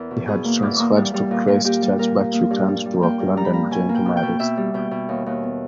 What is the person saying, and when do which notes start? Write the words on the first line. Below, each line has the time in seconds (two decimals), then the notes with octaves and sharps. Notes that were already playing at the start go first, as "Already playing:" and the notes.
He had transferred to Christchurch but returned to Auckland and joined Marist.
Already playing: E2 A#4
0.11 B2
0.27 B2 G#4
0.45 A#3
0.62 E2
0.79 A#3
0.96 G3
1.14 G3
1.31 A#2
1.48 A#2
1.65 A#2 G4
1.82 G3
1.99 A#2 A#4
2.17 A#2
2.33 A#3
2.51 G2
2.68 G3
2.85 G3
3.02 A#3 G5
3.20 G2
3.37 G3 A#5
3.45 B5
3.53 A#3 A#5
3.71 B2 G#5
3.89 A#3
3.95 G5
4.06 B2
4.17 G5
4.23 B2
4.40 B2 E5
4.57 G3
4.74 B2 G5
4.91 B2
5.09 D#2
5.26 D#2
5.43 B3